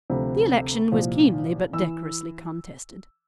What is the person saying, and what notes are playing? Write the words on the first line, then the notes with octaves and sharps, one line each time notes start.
The election was keenly but decorously contested.
D2 C3 F3
C2 A#2 F3
E3 E6